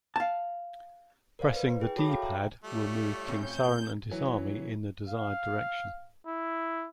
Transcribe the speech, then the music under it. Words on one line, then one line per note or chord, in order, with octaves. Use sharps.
Pressing the D-Pad will move King Suren and his army in the desired direction.
F5 A5
A#4 C5 D5 F5
B4
E4 G#4 G5
F#4 A4 C#5 A5 B5 D6
F5 G5
E5 A#5
G3 A3 F4 C#5
A2 C4 C#4 G6
E3 F#3
F5
E4